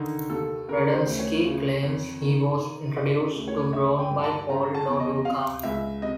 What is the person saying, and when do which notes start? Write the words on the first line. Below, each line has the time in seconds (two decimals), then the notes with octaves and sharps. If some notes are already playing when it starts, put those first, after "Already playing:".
Radomski claims he was introduced to Brown by Paul Lo Duca.
Already playing: D3 D#3 D#4
0.30 D#2 A4
0.68 C#3 A#4
0.93 C5
1.06 D2
1.19 C#5
1.45 C#3
1.83 F2
2.21 D#3
2.58 D#3
2.97 C#3 D5
3.36 D2
3.48 C#5
3.73 D3 E5
3.99 G5
4.11 G2
4.24 A5
4.49 C#3 A#5
4.75 A5
4.87 E2
5.00 D#5
5.25 C3 F5
5.63 C#2 E5
6.02 C3 D#5